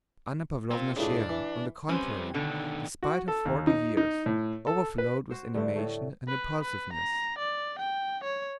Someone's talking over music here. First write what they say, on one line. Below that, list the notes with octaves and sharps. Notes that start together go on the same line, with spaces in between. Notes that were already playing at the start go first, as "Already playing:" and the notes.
Anna Pavlovna Scherer on the contrary, despite her forty years, overflowed with animation and impulsiveness.
A#3 C4 F4
C#2 A2 C#3 D4
E3
G3 C4 C#4 B4 C5 G#5
B2 D3 D#3
F#4
A4
D#2
D#4
D#4
A2
A4
B4
F#4 C5
G2 D3 A3 F#5
A2 A3
B4
B4
A#5
D5
G5
C#5